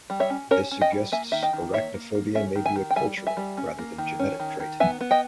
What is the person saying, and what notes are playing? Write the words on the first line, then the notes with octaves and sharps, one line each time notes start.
This suggests arachnophobia may be a cultural, rather than genetic trait.
G3
C#5 E5
C#4
C#4 A#4 C#5
C#4
D#5 G5
G3
A#3 E5 G#5
D#3 E5
D#5 G5
D#3
A#3 C#5 E5
A#3
A#3
C#4 C#5 E5
D#3
E5 G#5
D#3
G5
G3 E5 G#5
G3
E5 G#5
G3
C#4
A#3
D#3
C#4
D#3
D#3
B3 E5 G#5
B3
D#5 G5